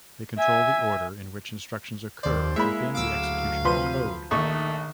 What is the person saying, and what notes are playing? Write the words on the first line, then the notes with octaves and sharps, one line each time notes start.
They control the order in which instructions occur within the execution of code.
E5 G#5
D#2 C5 D5
G#3 A#3 E4 E5 B5
D2 F#3 F5 D6 E6
C3 F3 B4 C6 D#7
A#1 D#3 A3 D#4 C#6